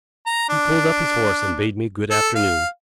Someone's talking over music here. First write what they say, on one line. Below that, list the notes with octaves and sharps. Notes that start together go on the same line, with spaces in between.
He pulled up his horse and bade me good-afternoon.
A#5
D4
A4
F5